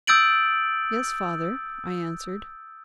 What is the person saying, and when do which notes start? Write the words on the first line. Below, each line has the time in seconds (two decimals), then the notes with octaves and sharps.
"Yes, father," I answered.
0.07 D#6 E6 G6 A6 D7 F#7